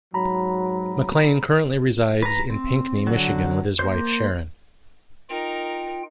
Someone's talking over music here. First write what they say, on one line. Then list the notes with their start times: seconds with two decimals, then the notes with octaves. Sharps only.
McLain currently resides in Pinckney, Michigan, with his wife, Sharyn.
0.14 G#2 F#3 A#5 B5
2.23 B4 A#5
2.50 C4
3.07 D3 F#3
3.79 A#3 C5
5.30 D#4 F4 A#4 G5